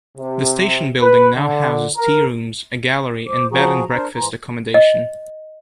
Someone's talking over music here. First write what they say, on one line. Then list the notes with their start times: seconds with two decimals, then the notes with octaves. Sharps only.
The station building now houses tea-rooms, a gallery and bed and breakfast accommodation.
0.18 C3
1.01 B4
1.35 D3
1.97 A#4
3.27 C5 D6
3.52 F3 F#4 G#4 A#5
3.95 D4 A#4 C5
4.16 G#2 E3 A#5 C6
4.74 D#5